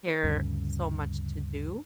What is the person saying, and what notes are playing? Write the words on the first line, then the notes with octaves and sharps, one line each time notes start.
care so much to do,
D2 G2 C#3